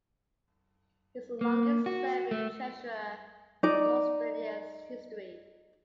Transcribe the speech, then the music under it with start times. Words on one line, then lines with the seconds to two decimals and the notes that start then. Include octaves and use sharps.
He is the longest-serving Treasurer in Australia's history.
1.41 A#3
1.86 F#4
2.31 A3
3.63 D#4 D5